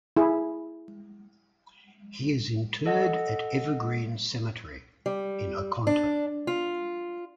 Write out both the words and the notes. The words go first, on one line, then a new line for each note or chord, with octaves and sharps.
He is interred at Evergreen Cemetery in Oconto.
E4 G#4
A4 D#5 F#5
G3
D4
F4